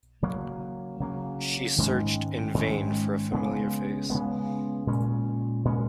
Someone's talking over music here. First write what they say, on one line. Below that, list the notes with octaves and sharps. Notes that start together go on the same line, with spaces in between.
She searched in vain for a familiar face.
C#3 F#3 A#3
C#3 F#3 A#3
G#2 D#3 G#3 C#4
G#2 D#3 G#3 C#4
C#3 G#3 B3
C#3 G#3 B3
A#2 G#3 C#4
A#2 G#3 C#4